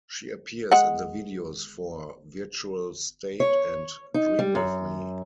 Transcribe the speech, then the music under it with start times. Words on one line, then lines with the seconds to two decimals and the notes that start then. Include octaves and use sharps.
She appears in the videos for "Virtual State" and "Dream With Me".
0.71 G#3 F#5
3.40 C#5
4.14 D#4
4.39 G3
4.55 F#2